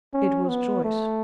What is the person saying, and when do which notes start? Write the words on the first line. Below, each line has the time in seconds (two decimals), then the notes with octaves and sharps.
"It was Joyce."
0.14 C#4
0.48 B3
0.84 A3